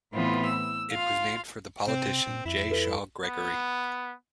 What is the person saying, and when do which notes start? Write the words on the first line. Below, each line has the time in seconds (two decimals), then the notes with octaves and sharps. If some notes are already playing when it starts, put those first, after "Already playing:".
It was named for the politician J. Shaw Gregory.
0.13 A2 E3 B3 C4 F4
0.45 E6
0.91 F4 F5
1.88 C3 C4
2.27 A#2
2.45 F2 E4
2.70 A4 B4
3.23 B3